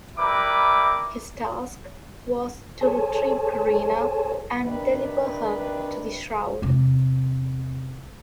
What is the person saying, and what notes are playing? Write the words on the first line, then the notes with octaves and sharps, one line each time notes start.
His task was to retrieve Karina and deliver her to the Shroud.
G3 E4 A#4 B4 D6
G#4 A4 C5 C#5 G#5 A5
C3 D#3 D4 B4
E2 C3